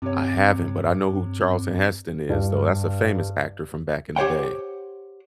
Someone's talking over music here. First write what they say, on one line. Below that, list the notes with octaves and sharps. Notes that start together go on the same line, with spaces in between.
I haven't, but I know who Charleston Heston is, though. That's a famous actor from back in the day.
G2 C3 C#5
G2
G4 C5 C#5 F#5 G5